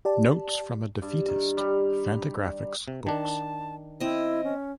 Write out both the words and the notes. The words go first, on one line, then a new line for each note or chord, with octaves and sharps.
"Notes from a Defeatist", Fantagraphics Books.
G4 D5 A5
G2
D#3
G3
C3
D#3 D4 A5
C4 E4 D#5
C#4